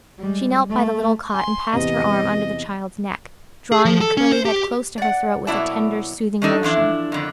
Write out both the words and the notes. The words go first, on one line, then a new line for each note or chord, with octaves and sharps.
She knelt by the little cot and passed her arm under the child's neck, drawing the curly head close to her throat with a tender, soothing motion.
G3 G#3
A3
G#5 C6
E2 C3 D#5
G#4
F3
A4
C#4
C5
G4
D5 F#5
B2 F#3 A#3 E4 D5 A5
D#3 D4 D#4 A4
E3 F3 D4 E4
F2 D3 D#3